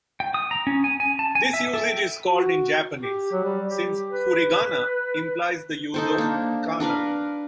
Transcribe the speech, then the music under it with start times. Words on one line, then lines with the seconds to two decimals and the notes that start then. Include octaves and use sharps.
This usage is called in Japanese, since "furigana implies the use of kana".
0.20 G5
0.34 D#6
0.51 A#5
0.67 C#4
0.84 G#5
1.00 G#5
1.19 A5
1.35 G#5
1.54 E5
1.74 A4
1.87 G5
2.28 F#4
3.02 G4
3.32 F#3
3.44 G3
3.67 G4
4.10 B4
5.94 D#4 A4 C5
6.18 A#3 D4
6.80 D4 A#4 B4 F5